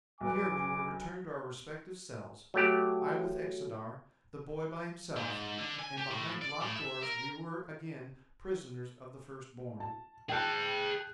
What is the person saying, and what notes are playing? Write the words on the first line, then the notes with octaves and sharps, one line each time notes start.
Here we were returned to our respective cells; I with Xodar, the boy by himself; and behind locked doors we were again prisoners of the First Born.
B1 F#2 B4 G#5 D6
F#3 A3 G4
G#2
D3
G#5
G4
A2
D5
A2
E5
A#4
A5
G#4 G5 A5 F#6